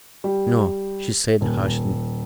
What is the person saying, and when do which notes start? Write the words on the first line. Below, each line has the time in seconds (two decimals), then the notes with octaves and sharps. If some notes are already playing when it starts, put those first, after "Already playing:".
"No!" she said harshly.
0.24 G3
1.41 D#1